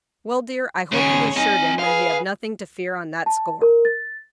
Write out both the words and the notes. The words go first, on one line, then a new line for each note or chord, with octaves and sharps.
"Well, dear, I hope you assured him that he had nothing to fear on that score."
D#2 C#3 G#4 C#5
C4 D#4 G#5
G#4 B4 F5
A5
A#4
A6